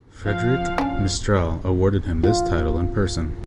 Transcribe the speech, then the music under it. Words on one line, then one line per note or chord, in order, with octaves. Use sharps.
Frédéric Mistral awarded him this title in person.
F3 F5
C#4 D4
F4